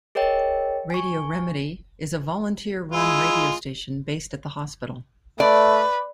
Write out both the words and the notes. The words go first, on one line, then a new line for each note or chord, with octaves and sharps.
Radio Remedy is a volunteer run radio station based at the hospital.
G#4 A#4 C#5 D#5 G5
G#5 C#6
G#3 E4 F4
A3 B4 D5